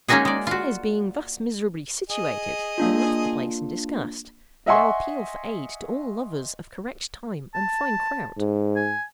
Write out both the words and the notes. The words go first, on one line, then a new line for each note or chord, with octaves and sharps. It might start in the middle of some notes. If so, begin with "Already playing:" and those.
Affairs being thus miserably situated, I left the place in disgust, and now appeal for aid to all lovers of correct time and fine kraut.
G#3 A#3 C#4 D#4 F#4 G#4
G#3 D5
F4 F#4
G#4 D#5
A#3 D4 F4
D#5 E5 F#5 G#5 C6 C#6
A5
G#2
G#5